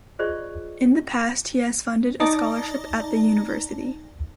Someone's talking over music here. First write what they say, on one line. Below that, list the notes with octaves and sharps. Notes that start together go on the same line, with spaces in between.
In the past he has funded a scholarship at the university.
F4 G#4 C5 D5 D#5 C#6
D#4 D5 A5 A#5